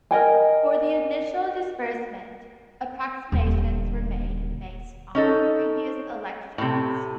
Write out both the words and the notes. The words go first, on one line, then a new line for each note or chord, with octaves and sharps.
For the initial disbursement, approximations were made based on previous elections.
A#4 D#5 G5 G#5
D#1 D3
C#4 D#4 A4
A2 C3